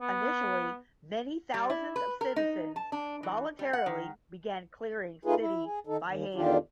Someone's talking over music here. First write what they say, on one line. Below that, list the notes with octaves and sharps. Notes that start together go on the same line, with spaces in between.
Initially many thousands of citizens voluntarily began clearing city by hand.
B3
G3
E4
B4
A#4
D#4
A5
D4
E3
G3
F#5
D#3
A3 D#4 F4 G#4 B4
E4
G#4
D#3 D#4 A4
D#2
E2 D3 D#3 D4 F4 G4